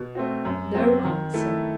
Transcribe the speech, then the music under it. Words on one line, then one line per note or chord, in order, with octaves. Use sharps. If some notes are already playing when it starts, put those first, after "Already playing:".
No answer.
Already playing: B2
A3 C4 F#4
F#2
F#3 C4 F#4
D#3
A3 E4 A4